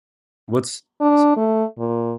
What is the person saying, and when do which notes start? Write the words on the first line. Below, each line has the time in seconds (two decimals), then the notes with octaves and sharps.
What's s
1.01 D4
1.36 A3
1.78 A#2